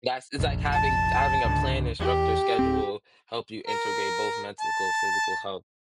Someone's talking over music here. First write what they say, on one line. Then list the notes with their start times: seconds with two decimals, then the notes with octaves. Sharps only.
That's it's like having having a plan instructor schedule help you integrate both mental and physical health
0.38 F1 A#1
0.72 A5
1.45 C#2 G#2 D3
1.99 E2 G4
2.59 D1 C4
3.66 A#4
4.60 A5